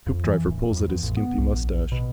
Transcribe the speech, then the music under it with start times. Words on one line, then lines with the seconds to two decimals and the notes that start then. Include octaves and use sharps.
Hoopdriver pulls at his skimpy moustache.
0.07 F2
0.24 E3
0.45 D1
0.71 F2
0.89 E2
1.03 A1
1.17 B3
1.38 C2
1.55 A#1
1.92 B2